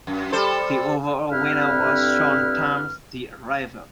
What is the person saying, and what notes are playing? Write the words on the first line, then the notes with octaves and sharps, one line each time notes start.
The overall winner was Shaun Tan's "The Arrival".
F#2
G3 A4 C5
G2 D3 C4 E4 B4 F6